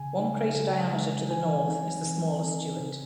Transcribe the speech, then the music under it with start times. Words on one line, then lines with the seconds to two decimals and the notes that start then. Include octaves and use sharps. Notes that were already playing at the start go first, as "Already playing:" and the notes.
One crater diameter to the north is the smaller Stewart.
Already playing: C#3 G#5
0.19 G#3 D#4
0.56 C#3
0.93 G#3 D#4
1.30 E3 G#5
1.68 C4 D#4
2.05 E3
2.42 C4 D#4
2.79 C#3